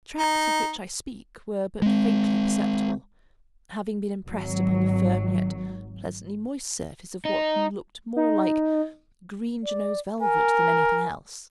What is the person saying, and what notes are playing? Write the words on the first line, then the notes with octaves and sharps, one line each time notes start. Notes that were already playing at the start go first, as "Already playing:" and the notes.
The tracks of which I speak were but faintly perceptible--having been impressed upon the firm, yet pleasantly moist surface of--what looked more like green Genoese velvet than any thing else.
D#4
G#3 C4
G#1 F#3
D#4
D#4
D5
A#4 G#5